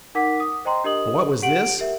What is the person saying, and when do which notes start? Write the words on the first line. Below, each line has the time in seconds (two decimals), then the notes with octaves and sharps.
But what was this?
0.15 D#4 A#4 F#5 D6 B6
0.40 D#6
0.65 C5 D#5 G5 A#5 C6
0.84 D4 G4 A#4 D#5 D#6 F#7
1.42 G4 F#5 D7 F#7
1.79 G4 A#4 E5